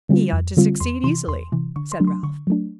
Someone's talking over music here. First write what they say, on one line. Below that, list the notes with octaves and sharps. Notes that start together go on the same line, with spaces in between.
"He ought to succeed easily," said Ralph.
D3 G3 C4 F4
F2
D3 G3 C4 F4
E2 C6
C3 E3 C6
E2 C6
C3 E3
D3 C#6
C6
F#3 A3 D4
C6
D3 C#6
F#3 A3 D4